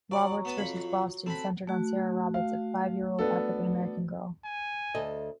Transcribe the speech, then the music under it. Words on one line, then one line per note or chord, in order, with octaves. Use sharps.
"Roberts versus Boston" centered on Sarah Roberts, a five-year-old African-American girl.
F#3 D5 F#5
B3 A5 D#6
F2 B5
C4 A4 B4 A5 B5
A3 F#4
F5
B3 D4 A4
G#5
D2 A4 D#5